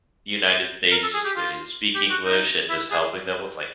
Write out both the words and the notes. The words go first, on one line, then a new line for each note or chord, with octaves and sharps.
United States, just they didn't speak English and just helping them with, like,
A#4
A4
G#4
G4
F4
G4
F#4
D#4
E4
G#4